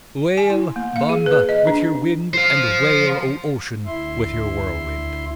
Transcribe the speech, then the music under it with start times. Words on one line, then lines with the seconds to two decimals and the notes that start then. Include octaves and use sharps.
Wail, Banba, with your wind: and wail, O ocean, with your whirlwind.
0.38 G#5
0.50 E4
0.76 A#3
0.96 F5
1.09 G#4
1.26 B4
1.49 D#5
1.67 D4
2.34 C5 F5
3.86 D2 E4 E5 C6